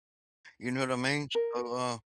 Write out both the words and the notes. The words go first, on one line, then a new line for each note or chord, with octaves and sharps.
you know what I mean? So, uh,
A#4